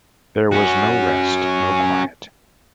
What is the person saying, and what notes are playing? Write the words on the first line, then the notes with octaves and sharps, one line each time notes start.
There was no rest, no quiet.
C#4 F#4